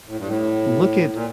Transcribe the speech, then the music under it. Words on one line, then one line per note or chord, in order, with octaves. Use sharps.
Look at
A2
G2
A2
A#2